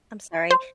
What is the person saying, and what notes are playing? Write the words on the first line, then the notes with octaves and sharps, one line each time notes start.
I'm sorry,
C5